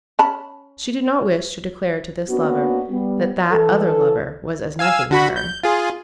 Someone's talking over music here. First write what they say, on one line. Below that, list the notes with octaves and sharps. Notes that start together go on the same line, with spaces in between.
She did not wish to declare to this lover that that other lover was as nothing to her.
C#4 A5 B5
A#3 B3 C#4 D4 F#4
G3 B3
E3 A4
F5 G#5 E6
D3 F#4 B5
G6
F4 G#4